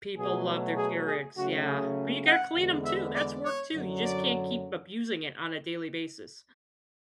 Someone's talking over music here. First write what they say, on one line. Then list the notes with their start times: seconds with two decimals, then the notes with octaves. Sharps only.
People love their Keurigs, yeah. But you gotta clean 'em too, that's work too. You just can't keep abusing it on a daily basis.
0.18 B2 F#3 A3 G#4
0.77 G#4
1.07 G#4
1.37 C#3 F#3 A3 F#4
1.66 G#4
2.26 F#5
2.55 E2 D3 G#3 B3
2.84 E5
3.15 D5
3.43 C#5
3.73 F#2 D3 F#3
4.03 D5